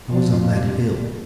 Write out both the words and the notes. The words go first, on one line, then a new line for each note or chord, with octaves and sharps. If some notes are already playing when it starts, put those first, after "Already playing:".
"I was on that hill."
F3 D4
F2 F4
C3 G3 D4